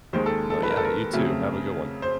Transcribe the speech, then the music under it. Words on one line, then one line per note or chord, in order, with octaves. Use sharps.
No. Yeah. You too. Have a good one.
D#2 D#3 G#3 C5
A4
A4
B4
A#4
A4
A#4
F2 C#3 F#3 A3
C5